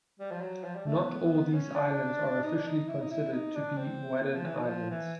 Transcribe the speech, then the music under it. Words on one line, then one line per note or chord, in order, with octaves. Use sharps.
Not all these islands are officially considered to be Wadden Islands.
G3
F3
F#3
F3
G3
A3
B3
C#4
D4
D#4
D4
D#4
E4
D#4
E4
D#4
D4
C4
C4
B3
F3
E3
D#3
F#3
F3
E3